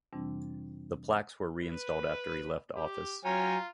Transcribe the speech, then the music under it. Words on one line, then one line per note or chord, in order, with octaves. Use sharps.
The plaques were reinstalled after he left office.
F2 C3 E3 G3 C4 D4
B4
G4
F#3 F4 C#5 G5 G#5 A#5